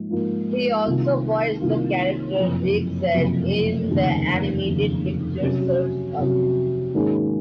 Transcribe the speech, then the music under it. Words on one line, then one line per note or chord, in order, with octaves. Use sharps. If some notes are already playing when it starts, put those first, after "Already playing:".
He also voiced the character Big Z in the animated picture "Surf's Up".
Already playing: G#2 F3 A#3
G#2 F3 A#3
C2 C3 D#3 A#3 F4
C2 C3 D#3 A#3 F4
F#1 F2 C3
F#1 F2 C3
F1 D#2 C#3
F1 D#2 C#3
C3 F#3 C#4 F#4
C3 F#3 C#4 F#4
G#2 D#3 A#3 C#4 G#4